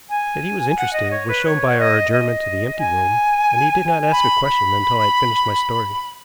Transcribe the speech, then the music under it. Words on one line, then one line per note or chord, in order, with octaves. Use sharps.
That he was interested was shown by our adjournment to the empty room, and he did not ask a question until I had finished my story.
G#5
F#5
D#5
C#5
B4
C#5
F#5
D#5
D#5
G#5
B5
B5